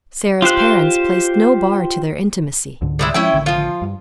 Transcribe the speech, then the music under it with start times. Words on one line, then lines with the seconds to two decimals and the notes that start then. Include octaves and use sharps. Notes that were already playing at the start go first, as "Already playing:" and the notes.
Sara's parents placed no bar to their intimacy.
0.42 F4 G4 C5 F#6
2.81 C#2 G#2 D3
2.99 G3 G#3 E4
3.14 F3 G#3 C#4 E4 G5
3.33 A1 D3 D#3
3.46 F3 F4
3.82 G2